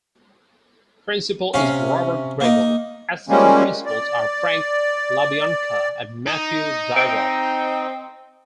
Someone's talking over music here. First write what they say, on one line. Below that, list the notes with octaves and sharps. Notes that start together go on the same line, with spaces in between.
Principal is Robert Grable; assistant principals are Frank LaBianca and Matthew Dyroff.
C3 C#4 F5
A#3 D#4
F3 G3 G#3 A#3 C#4
D5
D#4
C4